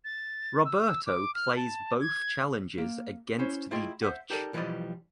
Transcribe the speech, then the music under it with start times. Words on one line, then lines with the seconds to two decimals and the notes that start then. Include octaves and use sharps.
Roberto plays both challenges against the Dutch.
0.05 A6
0.65 E6
0.85 E6
1.07 D6
1.35 F6
1.56 A5
2.01 G#6
2.78 A#3
3.39 C#4 E4 C5 C#5
3.71 A3 E4 F4 G#4 D#5 G5
4.02 C5 E5 F#5
4.30 D#4 G4 A4 A#4 D5
4.53 B1 E3 F3 G3 D5 D#5